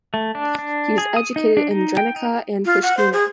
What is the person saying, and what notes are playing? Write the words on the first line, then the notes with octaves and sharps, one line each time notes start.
He was educated in Drenica and Prishtina.
A3
D4
D4
G#4
D#6
D#4
D4
D#4
G5
D#4
F4
F#5
C5
G#4